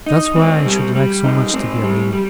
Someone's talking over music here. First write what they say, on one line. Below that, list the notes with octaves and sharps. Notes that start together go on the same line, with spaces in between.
That's why I should like so much to be a lady.
D#4
C4
G3
G3
D#4
C4
G3
G3